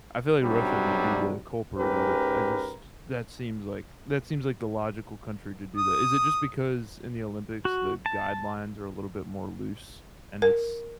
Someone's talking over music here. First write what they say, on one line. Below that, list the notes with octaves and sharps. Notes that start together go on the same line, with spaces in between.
I feel like Russia would be the culprit of it. I just that seems like that seems like the logical country to do that. Is it just because in the Olympics, the guidelines are a little bit more loose, and it's
B1 C3 F#3 G3 D4
G#2 C#4 G4 A#4 B4
D#6
F#4
A5
A#4